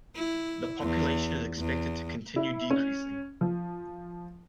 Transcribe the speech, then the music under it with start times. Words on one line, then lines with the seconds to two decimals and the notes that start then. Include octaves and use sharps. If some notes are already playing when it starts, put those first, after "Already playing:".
The population is expected to continue decreasing.
0.16 E4
0.81 E2
1.58 E2
2.36 E4
2.70 C#4
3.41 F3